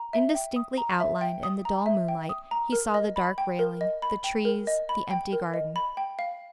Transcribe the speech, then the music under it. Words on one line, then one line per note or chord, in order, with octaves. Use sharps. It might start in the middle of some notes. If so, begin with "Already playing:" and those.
Indistinctly outlined in the dull moonlight he saw the dark railing, the trees, the empty garden.
Already playing: A#5
E5
G5
D#6
A#5
E5
G5
D#6
A#5
E5
G5
D#6
A#5
A#4
D#5
B5
G5
A#4
D#5
B5
G5
A#4
D#5
B5
G5
A#4
D#5
B5
G5
F5